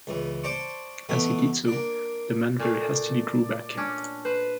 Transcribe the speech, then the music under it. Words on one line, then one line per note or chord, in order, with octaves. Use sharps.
As he did so, the man very hastily drew back.
C#2 E3
C5 D5 A5 C#6
B2 E3 A3 B3
A#3 D4
A#2 A3 D5 F5
C#4 D4
B4 C5